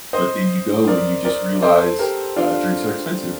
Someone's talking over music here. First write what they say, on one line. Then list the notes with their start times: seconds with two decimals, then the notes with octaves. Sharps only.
but then you go and you just realize, uh, drinks are expensive,
0.13 C5 D#5
0.87 A#4 D5
1.25 A#4 D5
1.62 A4 C5
1.99 G4 A#4
2.36 D4 F4